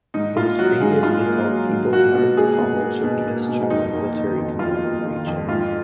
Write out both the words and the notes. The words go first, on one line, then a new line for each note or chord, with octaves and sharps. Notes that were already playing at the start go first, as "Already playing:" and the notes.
It was previously called People's Medical College of the East China Military Commanding Region.
G#2 D#4
A#3 F4
F#3 F#4
G#2 G#4
G#2 F4
A#3
F#3
G#2
A#3 F#4
B2
A#3 G#4
B2
A#3
B2
A#3
B2
F2 D#4
A#3
D#3
F2
F2 F4
A#3
D#3
F2
G#2 F4